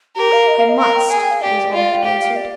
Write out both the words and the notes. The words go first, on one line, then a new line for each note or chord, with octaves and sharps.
'I must,' was all he answered.
G4 A#4
F5
D#5
F5
D#5
A#4 F5
G5
G#4 G#5
G5
F5
G4 D5
F4
G5
G4 F5
F5
D5